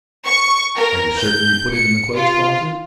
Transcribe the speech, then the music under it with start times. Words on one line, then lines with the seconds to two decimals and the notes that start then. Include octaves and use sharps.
"Are you certain you put it in the clothes closet?"
0.25 C#6
0.76 A#4
1.18 G6
1.75 C#7
2.15 F4